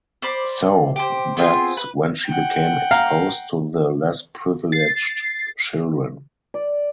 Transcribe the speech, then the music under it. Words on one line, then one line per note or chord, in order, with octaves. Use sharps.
So that’s when she became exposed to the less privileged children.
C5 D5 B5
G4 C5
B3 C4 F4 G#4
B4
F#5 G5
F5 A#5
A6 C7
D5